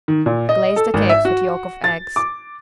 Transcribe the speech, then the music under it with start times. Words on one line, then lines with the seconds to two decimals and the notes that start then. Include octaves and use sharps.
Glaze the cakes with yolk of eggs.
0.08 D#3
0.26 A#2
0.49 D#5
0.76 A4
0.94 G#1
1.09 E5
1.25 F#4
1.84 A6
2.16 D6